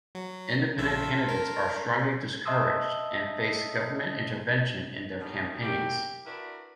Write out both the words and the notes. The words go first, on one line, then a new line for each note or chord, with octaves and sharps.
Independent candidates are strongly discouraged and face government intervention in their campaigns.
F#3
A#1 F4 A4 E5
A#4
D#5 E5 A5 C6 D#6 E6
B2 D#3 F#3 G3
B2 F#3 A#3 G4
D4 E4 F#4 A#4 B4 D5